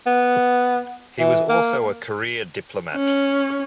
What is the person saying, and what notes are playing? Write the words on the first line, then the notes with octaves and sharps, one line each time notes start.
He was also a career diplomat.
B3
E3
A#3
C#4